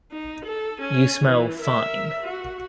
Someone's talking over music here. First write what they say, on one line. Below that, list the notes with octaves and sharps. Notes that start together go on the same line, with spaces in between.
You smell fine.
D#4
A4
C#4 G#5
E3
A#4 E5
F#4